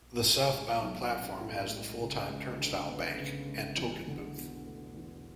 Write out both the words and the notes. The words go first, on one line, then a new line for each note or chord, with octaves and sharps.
The southbound platform has the full-time turnstile bank and token booth.
A2
G#3
B1
C#4
A2
G#3
C#3
G#3
D2
B3
C#3
G#3
E2
D3
E1
A3
E2